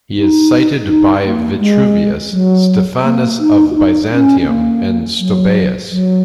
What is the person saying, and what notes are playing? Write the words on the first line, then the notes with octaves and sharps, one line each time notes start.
He is cited by Vitruvius, Stephanus of Byzantium and Stobaeus.
D#4
D#4
A#3
G#3
F#3
A#3
D#4
F#4
D#4
C#4
C#4
A#3
F#3
F#3